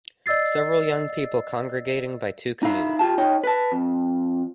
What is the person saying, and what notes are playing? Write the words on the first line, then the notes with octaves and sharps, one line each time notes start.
Several young people congregating by two canoes.
D5 D#5 E6 A6 C7
D#4 E4 F5
F4 G4 A5
D#4 C#5 G5
B4 A5
F2